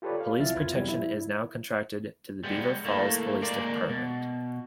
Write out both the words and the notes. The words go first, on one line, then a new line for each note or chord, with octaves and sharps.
Police protection is now contracted to the Beaver Falls Police Department.
F4 G4 A4 B4 C#5 D5
F5
C2 F3 E4 E5 F6 A6
F2 F4 B4 G#6
C3 E3 F#3 G3 B3
E4
G3 G#3 B3
A3 A#3 E4
G#3 A#3 C5 D5
B2